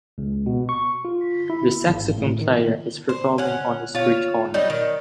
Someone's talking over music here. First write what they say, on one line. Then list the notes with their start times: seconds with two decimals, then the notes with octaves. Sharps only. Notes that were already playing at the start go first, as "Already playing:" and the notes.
The saxophone player is performing on the street corner.
0.18 C#2
0.46 B2
0.69 C#6
1.05 F4
1.50 E4
1.88 G#1
2.18 A2
2.41 D#3
3.09 C5
3.38 C#4 F#5
3.95 F4 C#5
4.54 F#3 G3 D#4
4.70 D#3